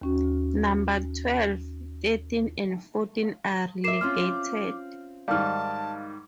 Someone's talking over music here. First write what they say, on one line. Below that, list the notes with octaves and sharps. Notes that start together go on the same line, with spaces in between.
Number twelve, thirteen and fourteen are relegated.
D#2 C#4 F#4
A#4 E5 D6 C7 E7
C4 C#4 F4 F6
G#2 D#3 G3 F5 A5 F6